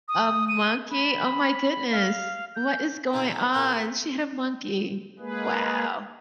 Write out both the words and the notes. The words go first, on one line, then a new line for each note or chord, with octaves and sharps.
A monkey? Oh my goodness. What is going on? She had a monkey. Wow!
D#6
D#7
B5
F5
G6
D#4 F4 G#4 C5 G#5
F4 G#4 A#4 F#5 G5
G#3 A#3 G#4 B4